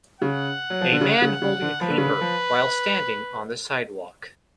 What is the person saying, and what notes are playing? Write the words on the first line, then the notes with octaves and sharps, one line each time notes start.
A man holding paper while standing on the sidewalk.
C#3 F#5
F#3
F3
D3
C#3
C#3
C#3
D3
F3 B4
D3
C#3
D3
F3